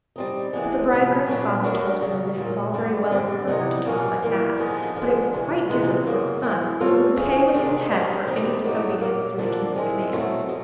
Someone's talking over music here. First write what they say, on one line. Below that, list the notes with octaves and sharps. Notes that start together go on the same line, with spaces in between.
But the bridegroom's father told her that it was all very well for her to talk like that, but it was quite different for his son, who would pay with his head for any disobedience to the king's commands.
G3 C4 D#4
E3 G#3 B3 D4
D2 C3 F3
A#2 F#3 B3 D4
F#3 A3 D4 F#4 A#4
F2 C#3 F#3
A#2 F#3 A#3
G2 D3 G3 B3
G2 D3 G3 C4
C3 E3 G3 B3 D#4
B2 G3 A#3 C#4 F4
E3 G3 A#3
D3 F3 G#3 B3 D#4
D3 F3 G#3
D2 C3 E3
F2 C3 E3 G#3
F#2 C#3 F#3 A#3
E3 G#3 C4 E4
G3 C4 F4 A4 C#5
E3 G#3 C#4 F4 G#4
C3 D#3 G#3 B3 D4
F#3 A#3 D#4 G4 C5
D#2 D#3 G3 C4 D#4
A2 F#3 B3 D#4 G4
A#2 F#3 A#3
F2 D3 F3 A#3 D4
D#3 G#3 C4 E4
B2 F#3 A3 C4 E4
B2 F#3